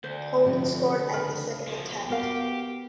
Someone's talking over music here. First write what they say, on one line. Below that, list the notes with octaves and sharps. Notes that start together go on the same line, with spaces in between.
Koeman scored at the second attempt.
D2 C5
C3 F3 C4
C#3 A#4 B5
B2 F3
B3 F#4 G4 A#4 F5